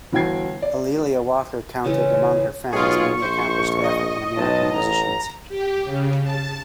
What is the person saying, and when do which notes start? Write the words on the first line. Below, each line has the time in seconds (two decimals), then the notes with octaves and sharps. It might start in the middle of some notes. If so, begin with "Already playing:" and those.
A'Lelia Walker counted among her friends many accomplished African American musicians.
0.13 G1 E3 F#4 G5 G#6 C7
0.62 D5
1.84 C#3 E3 G#3 A3
2.73 B1 F4 G#4 C#6
3.22 A#1 C5
3.84 D#5
4.37 B1 A5
4.74 A1 A#5
5.49 G4
5.84 C#3
6.23 A5